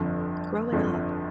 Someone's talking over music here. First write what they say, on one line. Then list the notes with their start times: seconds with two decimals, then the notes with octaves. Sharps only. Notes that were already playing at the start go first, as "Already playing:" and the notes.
growing up,
Already playing: G1 F2 D3 F3
0.72 G1 F2 D3 F3